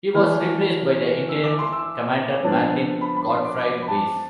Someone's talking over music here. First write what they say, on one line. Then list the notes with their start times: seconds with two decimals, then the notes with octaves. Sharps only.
He was replaced by the interim commander Martin Gottfried Weiss.
0.14 E3 A3 E4 F6
1.29 E6
1.44 D6
1.59 C6
1.72 E6
2.44 F3 B3 D4 A5
3.01 B5
3.17 B5
3.30 C6
3.45 D6
3.59 D6
3.82 B5
3.88 A5